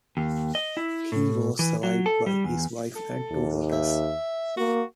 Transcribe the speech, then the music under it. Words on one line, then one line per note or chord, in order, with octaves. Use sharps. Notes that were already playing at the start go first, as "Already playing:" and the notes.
He was survived by his wife and two daughters.
D#2
D#5
E4
A2
E3
F#3
A4
G3
E2
A4
D#2
E5
A#3 F#4